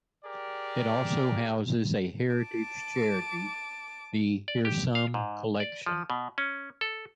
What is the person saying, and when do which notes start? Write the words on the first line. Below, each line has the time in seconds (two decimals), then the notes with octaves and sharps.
It also houses a heritage charity, The Hearsum Collection.
0.24 G4 G#4 A#4 D5
2.33 A5 D6
4.48 D5
4.65 G4
4.95 F5
5.14 G#2
5.60 D5
5.86 F3
6.10 B2
6.38 C#4
6.81 A4